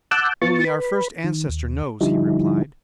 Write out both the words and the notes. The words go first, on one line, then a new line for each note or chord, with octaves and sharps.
"Only our first ancestor knows," he replied.
F#5 A5 D6 E6 F#6 G6
B3 F4 C#6 A6
B4 B5
D#3
D#2
D3 F3 G3 D#4 E4